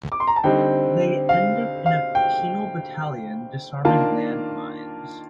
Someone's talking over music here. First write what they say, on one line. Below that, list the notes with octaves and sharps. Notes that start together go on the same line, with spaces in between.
They end up in a penal battalion disarming land mines.
D6
C6
A#5
A5
D3 G3 C4 D#4 G5
F5
F5
G5
D#3 A#3 D4 F4 A5